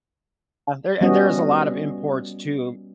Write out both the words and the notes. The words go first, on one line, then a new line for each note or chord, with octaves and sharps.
there and there's a lot of imports too.
G3 B3 C#4 F#4 D#5